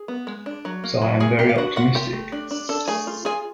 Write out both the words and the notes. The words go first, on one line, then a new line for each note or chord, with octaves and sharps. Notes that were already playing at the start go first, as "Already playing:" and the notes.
So I am very optimistic.
Already playing: G#4
B3
G#3
D4
F#3
A#3
F#3
A#3 G#4 G#5
A#3 G4 G5
F5
D4 F#4 F#5
F4 F#4 F#5
F4 G4 G5
A3
D4
D4
D4 A4 A5
A3 G#4 G#5
F4
F4 G#4 G#5